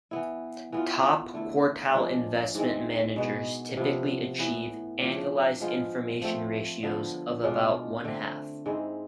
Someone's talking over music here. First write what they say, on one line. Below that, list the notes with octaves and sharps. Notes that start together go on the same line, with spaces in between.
Top-quartile investment managers typically achieve annualized information ratios of about one-half.
E3 B3 E4
E3 B3 F4
D3 A3 E4
F3 G#3 D4
G#2 E3 G#3 C4
B2 G#3 B3
C3 F3 B3
A2 E3 B3 E4
F3 A3 D4
F3 G#3 B3 F4
F3 A3 C4
D3 F3 B3
B2 G#3 D4 F4
D3 A3 C4
G#2 G#3 C4 E4